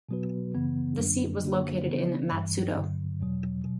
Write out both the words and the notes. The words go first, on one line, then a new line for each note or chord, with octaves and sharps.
The seat was located in Matsudo.
B2 F#3 B3 F#4 B4
F#2 C#3 E3 B3
F#2 D3 F#3 A#3 D4
F#2 D3 A#3 D4 F#4
C#3 E3 B3
G2 E3 G3
G2 D3 F#3
E2 B2 F#3
B2 F#3